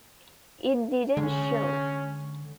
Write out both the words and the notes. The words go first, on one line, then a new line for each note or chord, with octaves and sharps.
It didn't show.
D3 G#3 C#4